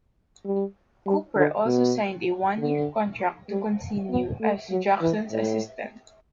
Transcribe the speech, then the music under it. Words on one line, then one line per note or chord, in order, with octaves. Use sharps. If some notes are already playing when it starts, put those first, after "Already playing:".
Cooper also signed a one-year contract to continue as Jackson's assistant.
G3
G3
D3
B2
D3
G3
B3
A3
F#3
E3
A2